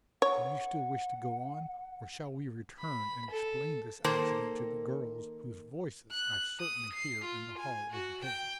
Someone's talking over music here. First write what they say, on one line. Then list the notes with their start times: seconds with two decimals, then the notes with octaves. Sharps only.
"Do you still wish to go on, or shall we return and explain this accident to the girls whose voices I certainly hear in the hall overhead?"
0.22 C#5 F#5
2.80 B5
3.31 A4
4.04 D#3 A#3 A4 A#4 C5
6.12 F#6
6.60 D#6
6.93 C7
7.25 F4
7.58 G#5
7.91 F#4
8.25 G5